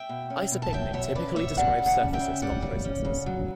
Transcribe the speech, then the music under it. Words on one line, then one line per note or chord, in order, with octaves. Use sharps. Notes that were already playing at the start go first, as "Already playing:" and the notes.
Isopycnic typically describes surfaces, not processes.
Already playing: E5 G5
B2
C#4
B2
A5
F#3 E5 G5
B2 C#5 E5
C#4 B4 D5
B2 C#5 E5
G3 D5 F#5
C#3
F#5 A5
C#4
E5 G5
C#3
G3 D5 F#5
C#3
C#4
C#3
F#3